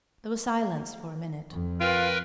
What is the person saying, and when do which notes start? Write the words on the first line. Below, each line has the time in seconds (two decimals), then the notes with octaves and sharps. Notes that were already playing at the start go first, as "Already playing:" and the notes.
There was silence for a minute.
1.51 F2
1.80 F4 A#4 B4 G5